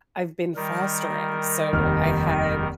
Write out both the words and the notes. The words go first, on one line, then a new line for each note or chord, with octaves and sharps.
I've been fostering. So I had
D#3 G3 A#4
F1 D#2 F6